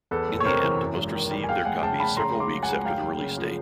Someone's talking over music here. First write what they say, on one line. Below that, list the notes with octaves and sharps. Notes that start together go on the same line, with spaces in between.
In the end, most received their copies several weeks after the release date.
E2 A4 B4
F#1
C#5
C3 A#4 C5
E3
F#2
G#1
D#3
G3
G#5
E2 F5 G5
F1 F#5 G#5
C#3 G5 A5
F1 A5 B5
C#3 A#5 C6
C#2
C6 D6
F#3
F#5 G#5
C#2
F#2 F5 G5
F#1
C#3
F3